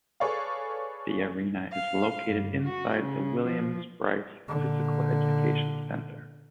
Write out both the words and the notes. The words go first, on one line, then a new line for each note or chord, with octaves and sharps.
The arena is located inside the Williams Brice Physical Education Center.
G#4 A4 B4 C#5 D5 F5
F5
G2
F#4
C#3
F3
A#2 D3